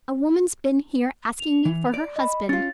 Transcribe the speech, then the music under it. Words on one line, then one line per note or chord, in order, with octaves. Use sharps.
A woman's been here asking me for her husband.
F7
E3
D5
D#5 B5
C#4 F4 A6